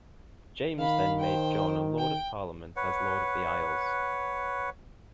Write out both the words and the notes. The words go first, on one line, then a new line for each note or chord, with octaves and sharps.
James then made John a Lord of Parliament as Lord of the Isles.
D#3 F5 B5
C5 G5
G5
B4 C#5 F#5